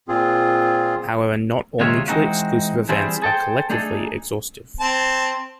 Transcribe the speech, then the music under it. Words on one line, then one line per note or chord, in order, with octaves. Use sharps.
However, not all mutually exclusive events are collectively exhaustive.
A#2 C4 F4 G#4
D#2 C3 G#3 F4 C#5 E5
E3 G#3 A3 C4 D#4 F#4
E3 G3 C4 E4 G#4 C5
G#4 A4 C5 G5
A3 D4 D#4 G#4 A4
C4 A5